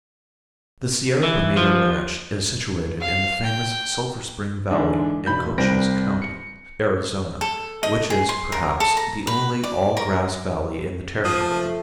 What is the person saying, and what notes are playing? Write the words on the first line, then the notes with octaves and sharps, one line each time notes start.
The Sierra Bonita ranch is situated in the famous Sulphur Spring valley in Cochise County, Arizona, which is, perhaps, the only all grass valley in the Territory.
E3
F3
F5
G5
G#2 D3 E3 D4
E1 B5 G6
C2 G3 C4 B4 A#6 D7
C#7
A4
D#5
G#4
C6
A#4
A4
A#5
B4
D5
A#4
F3 D#6
A3